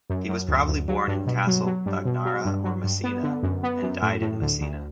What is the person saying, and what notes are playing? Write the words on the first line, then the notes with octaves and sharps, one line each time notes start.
He was probably born in Castle Bagnara or Messina and died in Messina.
F#2
F#2
D2
D2
F#3
G2
B2
F#3
F#3
G2
B2
F#3
G2
F#3
G2
B3
D3
F#2
B3
F#2
A2
A2
D2
D2